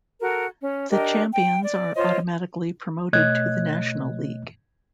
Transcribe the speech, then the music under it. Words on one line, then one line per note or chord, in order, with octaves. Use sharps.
The champions are automatically promoted to the National League.
F#4 A4 A#4
C#4
D4 G4 A#4 D#5
G5
D5
F4 C5 C#5 D#5
B2 A3 C#5 D#5 F#6 G#6